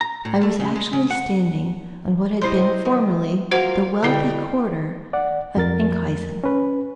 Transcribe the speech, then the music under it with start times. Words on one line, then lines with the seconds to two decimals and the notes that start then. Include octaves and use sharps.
I was actually standing on what had been formerly the wealthy quarter of Enkhuizen!
0.01 A#5
0.25 A2
0.43 A3
0.60 C#3
0.75 G#3
0.93 C#3
1.10 F#5
2.42 C3 E4 C5 D#5 C6
2.85 D#3
3.51 F4 F#4 A#4 C5 F5 F#5
4.03 B2 D3 G3 E4 G5
5.13 D5 F#5
5.57 F2 A#4 A6
6.44 C#4 B4